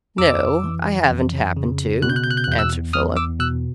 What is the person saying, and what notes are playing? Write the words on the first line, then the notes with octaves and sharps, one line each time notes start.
"No, I haven't happened to," answered Philip.
F2 D6 E6
E3
F2
C#3
B2 F#6
G6
F#6
G6
F#6
G6
F#6
E2 G6
E6 F#6
E2 D#6 F6
D6 E6
B2 E6 F#6